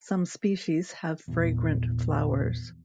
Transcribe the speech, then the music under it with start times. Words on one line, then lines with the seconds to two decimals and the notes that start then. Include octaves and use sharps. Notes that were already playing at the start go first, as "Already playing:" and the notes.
Some species have fragrant flowers.
1.28 A#1 E2